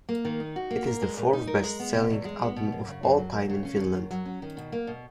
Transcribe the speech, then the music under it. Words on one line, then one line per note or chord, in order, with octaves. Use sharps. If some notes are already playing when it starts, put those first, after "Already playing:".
It is the fourth-best-selling album of all-time in Finland.
A#3
D#3
D#4
F#4
A#3
A#4
G#3
A#2
D#4
A#4
G#3
B3
B2
E2
G#3
B3
B2
F#2
C#3
F#2
F#3
F#2
C#3
C#4
D#3
F#2
F#3
C#4
D#3
B2
A#3
B2